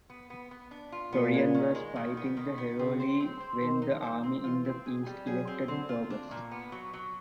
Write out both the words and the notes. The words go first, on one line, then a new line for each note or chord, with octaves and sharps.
Florian was fighting the Heruli when the army in the East elected Probus.
B3
B3
B3
D4
F4
A#2 B3
G#3
D#3
G#3
D#3
B3
D#3
B3
C#3 C4
C5
C4
C5
D#3 C5
D#4
C5
C4
E3 F4
C4
G#4
G3
F#3 G#4
C4
D3 C4
F4
D4
A#2
B3
F#3
F#3